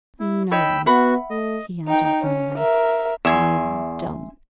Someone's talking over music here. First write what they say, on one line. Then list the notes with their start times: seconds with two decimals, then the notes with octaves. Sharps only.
"No," he answered firmly, "I don't!"
0.20 E4
0.51 D#4 C#5 D#5 G5 B5 E6
0.86 B3 F#4 E5 F#5 B5
1.30 A3 D#5
1.87 D#4 G5
2.23 C#4
2.58 A#4 E5
3.25 E2 E5 G#5 C6